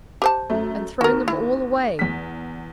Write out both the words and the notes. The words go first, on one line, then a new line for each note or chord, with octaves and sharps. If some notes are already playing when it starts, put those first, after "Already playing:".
'And thrown them all away.
G4 C5 A5
F#2 A3
D#2 F#4 A#4
E4
E2 B6